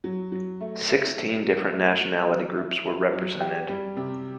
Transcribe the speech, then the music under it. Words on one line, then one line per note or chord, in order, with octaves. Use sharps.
Sixteen different nationality groups were represented.
F#3
F#3
A3
E4
A3
F#3
A3
F#3
F#3
E4
E4
F#3
G4
G3
C3